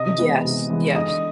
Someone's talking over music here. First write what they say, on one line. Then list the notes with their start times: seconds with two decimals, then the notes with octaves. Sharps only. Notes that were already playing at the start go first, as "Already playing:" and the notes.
Yes, yes.
Already playing: C3 D#5 D#6
0.18 E3 G#3 B3
0.44 C3
0.70 E3 G#3 B3
0.95 D3 D#5 D#6